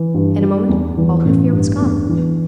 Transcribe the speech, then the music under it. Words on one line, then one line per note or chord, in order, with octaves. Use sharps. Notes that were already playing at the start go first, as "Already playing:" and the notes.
In a moment all her fear was gone.
Already playing: E3
G2
G3
E2
E3
A1
G2
E2
E3